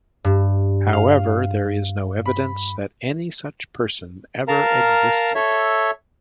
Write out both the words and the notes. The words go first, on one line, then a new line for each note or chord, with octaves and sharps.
However, there is no evidence that any such person ever existed.
G2
F5
B5
A#4 F5 A5 A#5
A4 C#5 E5